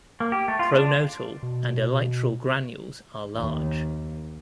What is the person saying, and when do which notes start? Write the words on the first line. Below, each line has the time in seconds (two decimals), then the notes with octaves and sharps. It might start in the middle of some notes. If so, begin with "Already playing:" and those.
Pronotal and elytral granules are large.
0.20 A#3
0.32 G4
0.48 A3
0.59 F4
0.73 D4
1.43 B2
3.34 D#2 D#3